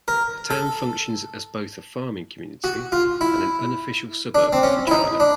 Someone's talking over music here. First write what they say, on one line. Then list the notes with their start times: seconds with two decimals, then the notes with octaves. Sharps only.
The town functions as both a farming community and an unofficial suburb of Regina.
0.08 A#4
0.51 A4
2.64 F#4
2.92 F4
3.21 E4
4.35 D4
4.53 C4
4.63 C#4
4.87 E4
4.91 D#4
5.20 D4